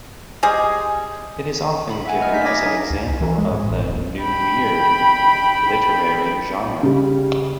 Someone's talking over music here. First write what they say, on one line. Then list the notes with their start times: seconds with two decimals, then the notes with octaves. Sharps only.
It is often given as an example of the New Weird literary genre.
0.43 G3 G#3 G#4
1.90 B5
2.06 E5 F#5 G#5
2.20 A3 D#5 F6 A#6
2.32 A#3 D#4 D5 G6 B6
2.45 D6 D#6 F6 G#6 A#6 B6
2.64 D#4 G#4 C#5 D#5 F5 G#5
2.90 D2
3.08 C2
3.21 E3
3.38 G#3
3.51 G#2
3.65 A1
3.85 D1
4.22 G5 B5
6.83 C#3 G3